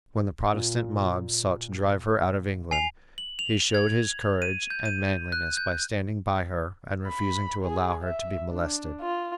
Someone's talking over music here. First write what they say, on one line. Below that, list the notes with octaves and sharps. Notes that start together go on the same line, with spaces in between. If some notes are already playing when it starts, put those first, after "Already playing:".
When the Protestant mobs sought to drive her out of England he showed his courage and manliness by standing by her and refusing to allow her to be molested.
A#2
G#5 C7 F7
F#7
F7
G#6
D#7
G6
D#7
F#6
G6
B5
G#4
E5
D4
F4